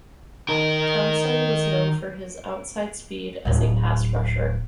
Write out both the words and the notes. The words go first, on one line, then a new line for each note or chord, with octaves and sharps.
Townsend was known for his outside speed as a pass rusher.
D#3 A#4
D1 A3